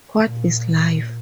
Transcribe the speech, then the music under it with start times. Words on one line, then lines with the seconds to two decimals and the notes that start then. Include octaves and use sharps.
What Is Life?
0.22 A#2